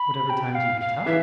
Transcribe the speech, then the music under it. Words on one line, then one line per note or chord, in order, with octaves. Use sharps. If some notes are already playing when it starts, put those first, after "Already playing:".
"Whatever time do you get up?"
Already playing: B5
G5
F5
F5
E3 E5